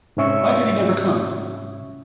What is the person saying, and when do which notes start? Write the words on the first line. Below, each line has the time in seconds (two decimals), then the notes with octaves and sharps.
Why did he never come?
0.17 G#2 C3 C#4 E5 C#6 E6